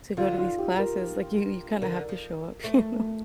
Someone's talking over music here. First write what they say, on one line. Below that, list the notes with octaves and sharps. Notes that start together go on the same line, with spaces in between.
to go to these classes. Like, you you kinda have to show up, you know?
D3 F4
F4
G4
A#4
D3 A#4
F3
A3